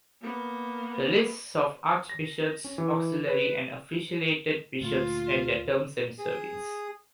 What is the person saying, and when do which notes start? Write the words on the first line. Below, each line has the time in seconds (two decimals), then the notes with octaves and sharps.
The lists of archbishops, auxiliary and affiliated bishops and their terms of service.
0.22 A#3 B3
2.09 A#6
2.64 C#4
2.78 E3
3.27 B4
4.81 D2 A#2 F4
6.19 G#4 D#6